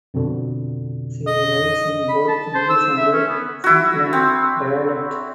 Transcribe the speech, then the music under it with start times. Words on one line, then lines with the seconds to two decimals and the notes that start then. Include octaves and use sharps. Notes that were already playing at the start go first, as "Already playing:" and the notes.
She writes in both English and Shetland dialect.
0.14 F2 B2 D3
1.27 D#5
2.09 B5
2.28 A5
2.55 C5
2.70 E6
2.97 E5
3.13 C#4
3.29 B3
3.64 E4 F#4
4.13 C4